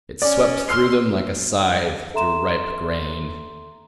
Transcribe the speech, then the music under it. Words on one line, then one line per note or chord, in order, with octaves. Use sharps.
It swept through them like a scythe through ripe grain.
C#4 D5
C6 E6 F6 C7
A4 E5 A#5 C6 E7